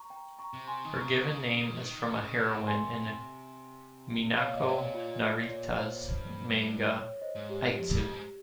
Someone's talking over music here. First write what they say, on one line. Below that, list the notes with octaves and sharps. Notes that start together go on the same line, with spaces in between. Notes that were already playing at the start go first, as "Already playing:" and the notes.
Her given name is from a heroine in Minako Narita's manga "Aitsu".
Already playing: A#5 C#6
G5 A#5
A#5 C#6
C3
G#5 C6
D#3
C#3 A#5 C#6
D#3
C#3
F3
D#3
C#3
C3
G#5 C6
C3 C#5 F5
A#2
G#2 D#5
A#2 C#5
F4
C#5
C5
G2
G2
C#5
C5 D#5
G#2
G4
F2 G4
G2
F2
G#2